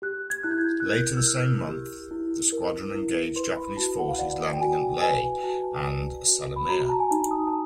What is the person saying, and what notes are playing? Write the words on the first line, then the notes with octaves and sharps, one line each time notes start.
Later the same month, the squadron engaged Japanese forces landing at Lae and Salamaua.
G4 F#6
G#6
E4 F#6
G6
G#6
F#6
A#4 G6
E6
E4 F6
G4
E4
A#4
E4
B4 C6
B5
F#4 A5
F#5
F5
D5 F#5
G5
F#4 G#5
B4 G#5
F#4 A5
D5
F#4
B5
F#4 A#5
A#5
A5
G#5
D#4 A5
D#6
A5